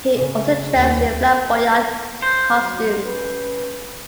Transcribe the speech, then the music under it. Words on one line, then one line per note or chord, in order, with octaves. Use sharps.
He also dressed in flamboyant costumes.
C#3
D#2
C5
F#3
C#4 G4 B4